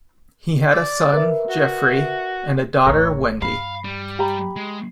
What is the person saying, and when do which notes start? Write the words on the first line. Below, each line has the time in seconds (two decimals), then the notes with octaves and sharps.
He had a son, Jeffery and a daughter, Wendy.
0.71 D5
1.13 A#4 B4 E5
1.48 F#4
2.86 A1 D2 A#4 C#5
3.42 G2 F5 B5
3.84 G3
4.19 G4 A#5 B5
4.56 G#3